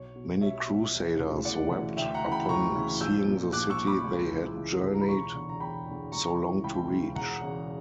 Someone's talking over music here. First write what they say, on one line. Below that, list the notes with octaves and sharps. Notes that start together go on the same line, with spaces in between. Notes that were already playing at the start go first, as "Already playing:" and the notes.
Many Crusaders wept upon seeing the city they had journeyed so long to reach.
Already playing: B1 C#5
B2
B1 C#5 E5
B2
E1
D2 C#3 E3
E1 D5 F#5
D2 C#3 E3
D2 E5 G5
F#5 A#5
C#3 E3
G5 B5
D2 A#5 C#6
C#3 E3
A#1 E6 G6
A#2
A#1 D6 F#6
C#6 E6
A#2
B5 D6
C#2
C#3 E3
C#2
C#3 E3
A#5
B5
E1 A#5 C#6
E2 D3
A#5
E1 G5 B5
E2 D3
C#2 A#5 C#6
C#3 E3
C#2 G5 B5
C#3 E3
E1 F#5 A#5
E2 C#3